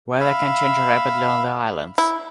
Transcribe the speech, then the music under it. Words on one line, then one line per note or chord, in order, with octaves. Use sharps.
Weather can change rapidly on the islands.
E5 F5 B5
E4